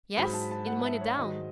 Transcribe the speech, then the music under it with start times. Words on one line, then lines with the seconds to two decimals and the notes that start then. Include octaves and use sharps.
"Yes--in money down."
0.17 G#2 F#3 B5
0.34 A5
0.51 A5
0.67 F#5
0.85 E5
1.00 C#5
1.17 G#2 D#3 F#3 D#5